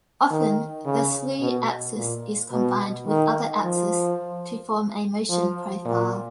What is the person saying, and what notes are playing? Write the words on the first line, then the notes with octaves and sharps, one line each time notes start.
Often the slew axis is combined with other axis to form a motion profile.
D#3
C#3
B2
A#2
B2
D#3
F3
F3
A#2